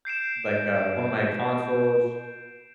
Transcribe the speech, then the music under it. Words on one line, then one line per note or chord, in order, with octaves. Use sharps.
like, uh, one of my consoles,
G6 C7 D7 E7